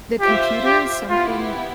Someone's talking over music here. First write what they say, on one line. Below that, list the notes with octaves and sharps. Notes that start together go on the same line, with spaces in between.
the computer is something
F4 G4 C5 E5
G4
B3 E4 F4 G4